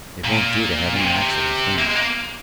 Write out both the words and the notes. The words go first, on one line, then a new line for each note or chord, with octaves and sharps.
It won't do to have any accidents then.
A#2
A#2
C3
A#3
G#3
A#3